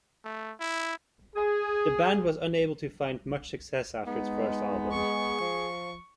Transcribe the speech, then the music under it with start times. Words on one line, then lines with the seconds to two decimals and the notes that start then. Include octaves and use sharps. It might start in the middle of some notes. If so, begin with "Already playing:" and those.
The band was unable to find much success after its first album.
0.25 A3
0.60 E4
1.35 G#4
4.07 G#3 B3 D#4
4.92 G#4 C#6
5.41 F3